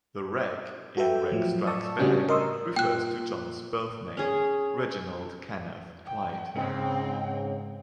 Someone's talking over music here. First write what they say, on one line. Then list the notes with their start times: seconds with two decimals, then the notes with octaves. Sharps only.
The "Reg" in "Reg Strikes Back" refers to John's birth name, Reginald Kenneth Dwight.
0.97 F#4 A4 B4 E5 G5
1.32 A2 F3 F#3
1.67 D5 A5 C#6 D#6 E6
1.99 A2 C#3 G3 C#4 D4 F#4
2.29 A#4 D#5 C6 C#6 D#6 E6
2.76 A#2 G5 F#6
4.17 C#4 G#4
6.06 G5
6.55 G#2 C#3 C4 G5